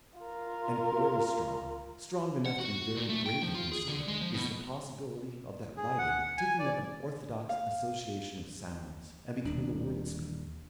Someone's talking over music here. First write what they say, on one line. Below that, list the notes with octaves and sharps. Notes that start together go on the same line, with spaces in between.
And very strong--strong enough to be very gravely considered--is the possibility of that writing taking up an orthodox association of sounds, and becoming a world speech.
F4 A#4
F#5
F#4
A#2
A3
G5
F3
F4
G#4
D3
G#3
F3
B2
G#4
F#5
G#5
D5
F5
D#1 D4